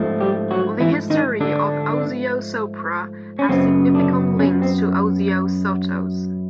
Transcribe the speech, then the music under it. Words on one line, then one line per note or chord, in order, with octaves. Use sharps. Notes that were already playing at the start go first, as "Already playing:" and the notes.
The history of Osio Sopra has significant links to Osio Sotto's.
Already playing: G#2 F3 A3
G3 G4
F#3 F#4
E3 E4
D#3 D#4
D3 D4
C#4
F#2 C#3 F#3 B3 C4
D3 D4
C#3 C#4
C4